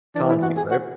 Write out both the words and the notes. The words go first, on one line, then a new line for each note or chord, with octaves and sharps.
kanji, right?
E3 D4
E4
F#4
G#4
F#4